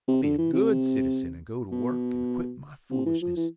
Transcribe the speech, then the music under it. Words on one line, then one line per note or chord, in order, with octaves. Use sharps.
I'll be a good citizen and go to work and quit my foolishness.
C3
D3
E3
C3
B2
C3
E3
F3
E3